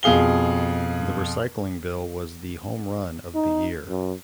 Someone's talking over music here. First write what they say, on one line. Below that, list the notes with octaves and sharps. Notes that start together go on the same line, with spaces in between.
The recycling bill was the home run of the year.
F2 B2 G#4 F5 G7
D#4
F#2